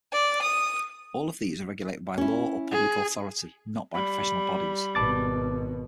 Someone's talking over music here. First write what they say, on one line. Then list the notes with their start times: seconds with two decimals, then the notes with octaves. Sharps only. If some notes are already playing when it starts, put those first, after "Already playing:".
All of these are regulated by law or public authority, not by professional bodies.
0.12 D5
0.42 D#6
2.18 C#4 E4
2.71 G#4
3.93 G3 B5
4.95 G#1 B2 A5 D6 A6